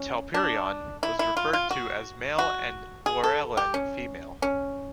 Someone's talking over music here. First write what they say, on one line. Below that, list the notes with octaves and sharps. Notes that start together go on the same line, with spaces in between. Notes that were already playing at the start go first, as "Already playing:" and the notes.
Telperion was referred to as male and Laurelin female.
Already playing: C#4
D4
E4
E4
F4
F4
F#4
F#4
G#4
A4
G4
C#4
C#4